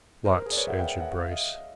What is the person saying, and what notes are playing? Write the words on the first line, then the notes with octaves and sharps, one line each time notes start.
"Lots!" answered Bryce.
A#4 C5
A#4 C5
G#4 A#4
D5
B4 C#5
E5 F#5
F5 G5
F5 G5
E5 F#5
F#5
F5
E5
D#5 F5